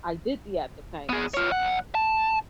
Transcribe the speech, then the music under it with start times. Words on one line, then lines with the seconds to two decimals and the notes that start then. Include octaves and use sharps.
I did the act of kindness.
1.09 B3 G#4
1.34 F4 C#5
1.50 B1 F#5
1.95 A5